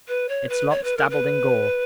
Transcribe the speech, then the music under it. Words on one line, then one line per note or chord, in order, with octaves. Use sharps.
Its locks dabbled in gore.
B4
C#5
B4
C#5
B4
A#4
B4